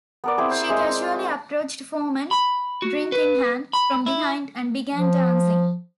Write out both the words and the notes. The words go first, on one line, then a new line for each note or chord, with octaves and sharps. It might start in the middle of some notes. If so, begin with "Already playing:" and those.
She casually approached Foreman, drink in hand, from behind and began dancing.
B3 A#4 D5
C4 E4 G#4
C5
G#3 E5
B5
F#4
B4
B5
E4
F3